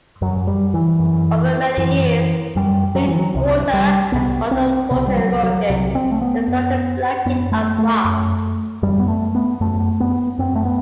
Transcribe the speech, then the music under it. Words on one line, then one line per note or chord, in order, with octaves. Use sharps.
Over many years, wind, water and other forces eroded the surrounding blanket of rock.
F#2 F#3
G3
E3
F#2
F#2 E3
F#2 G3
F#3
E3
F#3
C2 C3
G3
C2 C3 B3
C4
C2 C3 B3
G3
F#3
F#3
C2 C3 F#3
C4
A3
B3
F#2
F#2 B3
A3
A3
F#2
F#2 G3
B3
A3
B3
F#2 A3
B3
F#2 C4
A3
B3